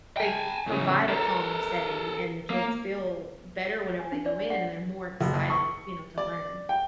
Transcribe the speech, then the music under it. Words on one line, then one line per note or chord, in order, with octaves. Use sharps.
they provide a calmer setting, and the kids feel better whenever they go in, and they're more excited, you know, to learn.
G5 G#5
A2 C#3
A4 A#4
A#3
G#5
D4
D5
F#5
F#1
C#6
D5
G5